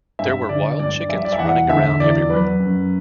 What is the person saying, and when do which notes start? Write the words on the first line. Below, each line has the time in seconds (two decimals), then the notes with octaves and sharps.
There were wild chickens running around everywhere.
0.19 G2 E5
0.49 D3 D5
0.79 G2 D5
1.09 G3 E5
1.25 D5
1.32 E5
1.39 E2 F#5
1.70 D3 E5
2.00 E2 D5
2.29 F#3 B4
2.60 F#2